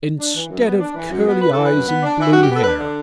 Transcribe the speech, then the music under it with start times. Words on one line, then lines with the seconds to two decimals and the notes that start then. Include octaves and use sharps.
Instead of curly eyes and blue hair.
0.19 D4
0.35 E3
0.49 F#2
0.65 B3
0.80 D4
0.95 E3
1.11 F#2
1.27 B3
1.42 D4 B4
1.53 E3 A4
1.65 B4
1.72 F#2
1.87 B3
2.03 D4
2.18 E3 E4
2.32 F#2 F#4
2.43 G4
2.49 B3
2.54 A4
2.64 D4 B4
2.80 D3